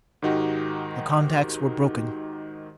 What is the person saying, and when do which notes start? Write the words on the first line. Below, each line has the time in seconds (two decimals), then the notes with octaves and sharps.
The contacts were broken.
0.22 G#2 D#3 D#4 F#4 G4